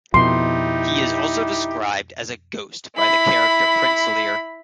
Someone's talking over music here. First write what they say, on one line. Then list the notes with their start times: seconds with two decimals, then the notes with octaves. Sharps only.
He is also described as a ghost by the character Prince Lir.
0.14 F2 B2 D#4 E4 G4 C6
2.96 E4 B5